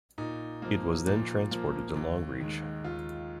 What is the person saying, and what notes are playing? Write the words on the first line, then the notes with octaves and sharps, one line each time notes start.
It was then transported to Longreach.
A#2 D#4
F3 A#3
A#2
F3 A#3
D#2
D#3 G#3
D#2 F4